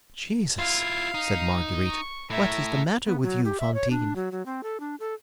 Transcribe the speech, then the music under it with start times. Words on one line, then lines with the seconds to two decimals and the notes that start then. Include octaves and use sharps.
"Jesus!" said Marguerite, "what is the matter with you, Fantine?"
0.59 E4 F4 F5
1.14 D#4
1.90 C#6
2.30 A2 E5 A#5
3.05 B3
3.22 F#3
3.45 G4
3.60 E5
3.74 C#5
3.90 D4
4.16 F#3
4.32 F#3
4.46 C4
4.63 A4
4.80 D4
5.00 A4